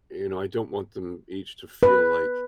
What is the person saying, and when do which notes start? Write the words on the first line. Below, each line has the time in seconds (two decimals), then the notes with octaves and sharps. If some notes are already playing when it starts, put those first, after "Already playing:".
you know, I don't want them each to feel like
1.83 B4